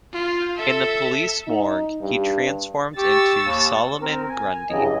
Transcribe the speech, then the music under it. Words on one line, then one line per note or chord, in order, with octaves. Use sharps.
In the police morgue, he transforms into Solomon Grundy.
F4
A4 E5
D#4
G2
G4 C#6 E6 A6
D#2
C4 A#4
G#5
G2 C#3 E3 F#3 D#5